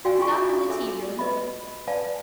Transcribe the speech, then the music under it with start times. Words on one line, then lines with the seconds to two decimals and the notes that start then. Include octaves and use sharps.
'Stop in the tea-room.
0.05 F#4 D5 F5 G5 G#5
0.19 D4 F4 G#4 G5 G#5 C#6
0.69 G#4 A4 E5 G#5 E6
1.19 B4 D#5 E5 B5
1.88 B4 D5 F5 G#5 A5